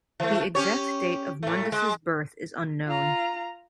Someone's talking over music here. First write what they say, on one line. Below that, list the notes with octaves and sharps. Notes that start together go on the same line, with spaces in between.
The exact date of Mundus's birth is unknown.
E3 A3
C#4 G4 C#5
A2 A3
G#3
F4 A#5